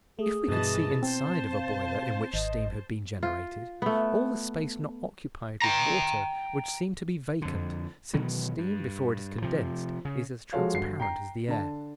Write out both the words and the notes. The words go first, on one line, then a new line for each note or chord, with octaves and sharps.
If we could see inside of a boiler in which steam had been generated, all the space not occupied with water would seem to be vacant, since steam before it is condensed is as transparent as the air.
A3 G#4
G2 B2 E3 D#5 A5
C4 C5 A5
F5
G#1 D#5
F4
A3 B3
G5 A#5
F2 D3
B2 D#3 E3 F#3
G2
C3 F3
C#3
F3 G#3 F#4 A4 C#5 F5
G1 F#4 C7
G5 A#5 C7
D3 A5